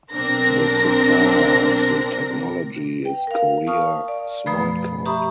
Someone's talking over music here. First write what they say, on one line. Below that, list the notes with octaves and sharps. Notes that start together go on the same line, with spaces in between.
The supplier of the technology is Korea Smart Card.
B1 C4 D4 A#4 A#6
B4 G5
A#4 F5
F5 A5 C#6 D#6 F6
D5
F#2 B2 F3 A3 B4 B5
G4 E5 A#5 B5 C#6 D#6